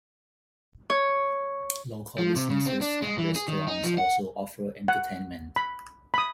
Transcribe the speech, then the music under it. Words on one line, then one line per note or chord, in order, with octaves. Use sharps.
Local businesses and restaurants also offer entertainment.
C#5
F3
C3
C#3
C4
D4
G#3
E3
G#4
D#3
D#4
F3
F#5
F#5
B5
B5 D#6